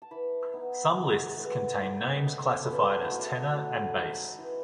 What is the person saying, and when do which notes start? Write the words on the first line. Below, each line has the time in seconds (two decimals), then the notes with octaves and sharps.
Some lists contain names classified as tenor and bass.
0.02 A5
0.11 E3 B5
0.53 B3 D#4
0.96 A2 G#5
1.39 E3 G#3 B3
1.78 D#3 F#5 G#5
2.03 D#5
2.24 A3 C#4 D#5
2.46 C#5
2.62 A4
2.67 B2 B4
3.02 E4
3.10 A3 D#4 F#4
3.53 A2 F#4
3.96 G#3 D#4
4.38 E3 E4